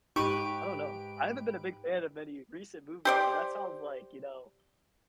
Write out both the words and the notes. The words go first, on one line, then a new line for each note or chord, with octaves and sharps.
I don't know. I haven't been a big fan of any recent movies, but that sounds like, you know,
G#2 D#4 G4 B4 B5 C#6 D7
G4 C5 D5